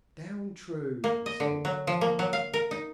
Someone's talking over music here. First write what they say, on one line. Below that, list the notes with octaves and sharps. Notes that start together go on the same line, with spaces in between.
"Down, True!" he said.
A#3
D#5
D3
F#3
F3
A#3
F#3
F5
A#4
D#4